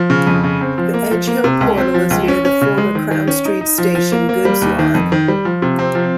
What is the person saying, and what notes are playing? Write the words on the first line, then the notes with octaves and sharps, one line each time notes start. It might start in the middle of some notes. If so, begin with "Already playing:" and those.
The Edge Hill portal is near the former Crown Street Station goods yard.
Already playing: F3
C#3
F2
C#3
C4
F3
A#3
F3
A#3
C3
C#2
C4
F3
C#2
C#4
C#4
C#3
G#3
D#3
D#3
C#4
D#4
D#4
F3
F3
A#3
A#3
G3
D#2
D#3
F2
D#3
G3
F3
C3
C4
F3